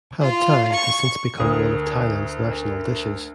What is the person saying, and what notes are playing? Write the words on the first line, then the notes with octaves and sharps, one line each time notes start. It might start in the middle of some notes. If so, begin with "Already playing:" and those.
Pad thai has since become one of Thailand's national dishes.
F4
C#6
D2 A#4 D#6